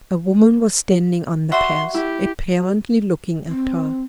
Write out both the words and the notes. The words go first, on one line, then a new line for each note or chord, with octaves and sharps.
A woman was standing on the path, apparently looking at her.
G3 F#4 E5 C6
E4 G4
C4